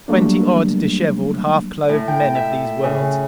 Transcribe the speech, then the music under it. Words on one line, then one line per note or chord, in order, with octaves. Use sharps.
Twenty odd, disheveled, half-clothed men of these worlds.
F#3 G3 A3 A#3 D4
A2
G5
E5
C#3